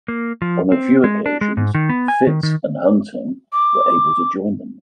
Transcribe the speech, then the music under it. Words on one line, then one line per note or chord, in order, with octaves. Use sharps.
On a few occasions, Fitz and Hunting were able to join them.
A#3
F3
C4
G#3
D4
G#3
G#2
D#3
B3
G#5
D#3
D#3
D6